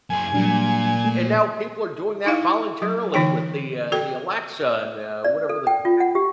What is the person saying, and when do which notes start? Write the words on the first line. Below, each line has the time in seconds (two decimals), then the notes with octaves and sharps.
and now people are doing that voluntarily with the, uh the Alexa and, uh, whatever the computer
0.10 F#2 G#4 G#5
0.34 A#2 F#3 G3 D4
1.05 A3
2.26 D#4 E4 F5
2.82 F#3
3.14 D3 E3 D#4 G5
3.92 F#4 A4 G5
5.24 D5
5.49 A4
5.67 G5
5.85 F4
6.00 F#5
6.15 G4